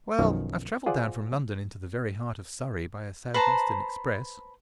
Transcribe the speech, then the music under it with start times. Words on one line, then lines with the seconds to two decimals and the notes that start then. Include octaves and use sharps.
"Well, I've travelled down from London into the very heart of Surrey by a South Eastern express."
0.19 B1 F#2 D#3 F3
0.86 F4 G#4 C5 D5 F#5
3.34 B4 C5 A5 A#5